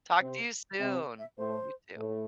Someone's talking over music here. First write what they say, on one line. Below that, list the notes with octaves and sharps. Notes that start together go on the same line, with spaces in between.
Talk to you soon. You too.
C3 C4
C3 C4 E5
E5
A2 A3 C5
A2 A3